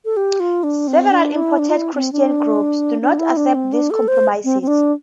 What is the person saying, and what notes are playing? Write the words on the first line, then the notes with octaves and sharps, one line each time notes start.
Several important Christian groups do not accept these compromises.
A4
G4
F4
D4
C4
D4
E4
D4
F4
E4
C4
D4
D4
E4
D4
C4
D4
A4
C5
C4
C4
D4